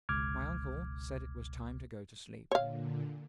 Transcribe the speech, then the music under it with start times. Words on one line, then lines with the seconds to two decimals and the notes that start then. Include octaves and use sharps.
My uncle said it was time to go to sleep.
0.09 G1 C#2 B2 D6 F6 G#6
2.51 A#2 D3 C#5 F5